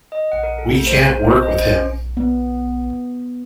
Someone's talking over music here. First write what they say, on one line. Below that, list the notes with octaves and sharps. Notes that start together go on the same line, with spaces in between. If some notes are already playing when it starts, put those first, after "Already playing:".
We can't work with him.
D#5
F#5
A#4
A4
A3
C5
G#5
A#4
C5
D#5
C5
C#4
B3